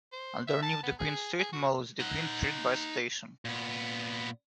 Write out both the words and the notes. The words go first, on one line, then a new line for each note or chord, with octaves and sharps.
Underneath the Queen Street Mall is the Queen Street Bus Station.
C5
E5
A5
B3
G#4
G#4
F#4
D#4 F#5
A#2 B3